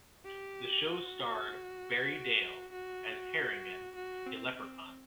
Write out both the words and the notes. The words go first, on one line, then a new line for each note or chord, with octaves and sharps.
The show starred Barry Dale as Harrigan, a leprechaun.
G4
F#4
F#4
F#4
C4
C4